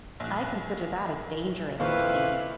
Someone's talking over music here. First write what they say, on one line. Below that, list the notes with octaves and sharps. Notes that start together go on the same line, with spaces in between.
I consider that a dangerous proceeding.
A#1 F#6
F2 A#2 D#3 E4 B4 F5 C#6